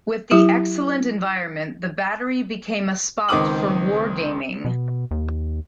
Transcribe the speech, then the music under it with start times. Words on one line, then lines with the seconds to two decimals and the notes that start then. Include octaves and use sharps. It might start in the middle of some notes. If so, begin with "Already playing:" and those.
With the excellent environment, the Battery became a spot for wargaming.
0.31 F#3 E4 G4
3.29 C#2 D#3 C4 D6 D#6 F#7
4.65 B2
5.11 D#2